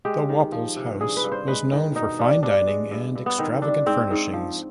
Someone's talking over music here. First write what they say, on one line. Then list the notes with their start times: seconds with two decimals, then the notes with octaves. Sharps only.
The Waples House was known for fine dining and extravagant furnishings.
0.05 G#3 G4
0.29 D#3
0.52 F3
0.76 C3
1.00 G2 G#4
1.17 B4
1.24 G2
1.32 C5
1.48 G#3 B4
1.72 D#3
1.95 B2 D#4
2.19 G3 D4
2.43 G2 D4
2.67 G#3
2.91 G2
3.15 G2
3.26 B3
3.38 D#3 C4
3.62 G2 D4
3.86 G#2 C4
4.11 G#2
4.33 F3